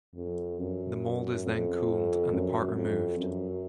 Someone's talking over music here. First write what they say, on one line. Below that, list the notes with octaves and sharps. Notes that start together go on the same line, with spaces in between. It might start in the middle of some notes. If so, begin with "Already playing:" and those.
The mold is then cooled and the part removed.
F2
F#2
F2
F#2
F2
F#2